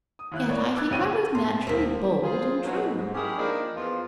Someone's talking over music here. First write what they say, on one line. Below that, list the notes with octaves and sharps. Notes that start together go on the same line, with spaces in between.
Yet I think I was naturally bold and true.
D#6
D#2 E4 F#6
A2 A#4 C#5 D5
E4
D6 E6 F#6 G#6 A6
A#1 C#3 C4 F#4 G5 D#7
A2 A5 C6
D#1 A#3 C4 B6
F4 G#4 C5
B2 F#3
G#2
A#3 C#4 E4 G4 G#4
F3 A#3 D4 D#4 A#4 D5
E2 F3 F4